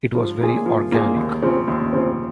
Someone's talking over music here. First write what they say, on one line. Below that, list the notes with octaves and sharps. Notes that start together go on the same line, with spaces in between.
It was very organic.
F3
A#3 F4 G#4
F3
A#3 F4 G#4
D#2
C#3 F3 C4
D#2
C#3 F3 C4